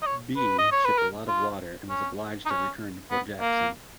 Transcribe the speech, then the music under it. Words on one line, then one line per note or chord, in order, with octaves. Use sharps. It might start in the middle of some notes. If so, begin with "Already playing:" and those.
"Bee" shipped a lot of water and was obliged to return to Port Jackson.
D#5
C#5
B4
D#5
C#5
B4
A#4
F4
C#4
D#4
C#4
B3
A#3